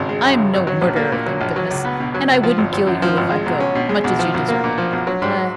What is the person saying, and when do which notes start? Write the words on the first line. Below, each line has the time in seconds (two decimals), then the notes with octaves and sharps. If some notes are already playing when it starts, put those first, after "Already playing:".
"I'm no murderer, thank goodness, and I wouldn't kill you if I could--much as you deserve it."
Already playing: G#1 C#3
0.09 G#3
0.24 F#2
0.39 C#3
0.54 G#1
0.67 F#3
0.82 A#1
0.96 A#3
1.12 A#2
1.26 F#3
1.41 A#1
1.56 F#3
1.71 C#2
1.85 B3
2.00 B2
2.14 F#3
2.29 C#2
2.43 F3
2.58 G#1
2.73 G#1
2.87 F#2
3.02 F3
3.17 G#1
3.31 G#3
3.46 B1
3.60 C#4
3.75 B2
3.89 G#3
4.04 B1
4.19 F3
4.34 B1
4.48 A#3
4.64 A#2
4.78 F3
4.93 B1
5.07 F#3
5.22 G#2